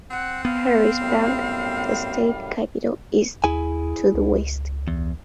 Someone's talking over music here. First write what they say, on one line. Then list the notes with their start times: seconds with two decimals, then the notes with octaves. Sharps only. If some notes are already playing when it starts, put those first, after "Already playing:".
Harrisburg, the state capital, is to the west.
0.10 C4 F#5
0.45 B3 F5
0.99 F#2 A2 G3
3.44 D#2 E4 G#4 G#5
4.14 C#2
4.88 E2